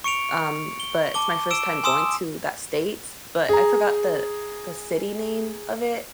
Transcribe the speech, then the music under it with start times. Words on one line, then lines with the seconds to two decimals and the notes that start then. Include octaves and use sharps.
um, but it's my first time going to that state, but I forgot the the city name of it.
0.04 C#6 C#7 D7 F7
0.80 G7
1.14 A5 D6 G7
1.51 E6 D7 E7
1.83 G#5 C6 D#6 E6 E7
3.49 G#4 A#5